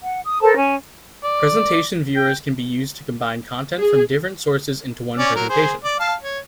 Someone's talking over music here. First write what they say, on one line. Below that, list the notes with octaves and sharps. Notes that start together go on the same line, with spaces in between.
Presentation viewers can be used to combine content from different sources into one presentation.
F#5
D#6
A4 A#4 C5 A5
C#4 G#5
D5
G5
G#4
C#4 D5
F#3 A#4
G#4 C5
D5
F5 A5
C#5